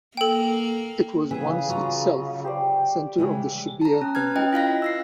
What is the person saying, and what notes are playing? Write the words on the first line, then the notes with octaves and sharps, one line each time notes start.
It was once itself centre of the Shebbear hundred.
A#3 A4 G5
C#3 E3 G#4 G#5
F#3 F4 D#5 A#5
G4 C5 D5
C#3 E3 G#3
A5 A#5
C#4
B4 F6 G#6
C#4 D#5 G5
E4 F4 F5 A#6
E6 A#6 C7